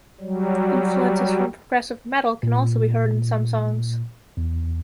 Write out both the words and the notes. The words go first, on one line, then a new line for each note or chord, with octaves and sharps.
Influences from progressive metal can also be heard in some songs.
F#3 G3
A#2
E2